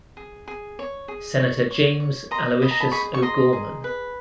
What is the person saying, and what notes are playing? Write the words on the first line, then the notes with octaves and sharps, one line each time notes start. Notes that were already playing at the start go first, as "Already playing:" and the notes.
Senator James Aloysius O'Gorman.
G#4
G#4
C#5
G#4
C#5
C#5
C#5
D#5 A#5 C6
D#5 B5
A#5
A5 B5
G#4 B5 C#6
C#6
D#5 A#5 C6
G#4
B4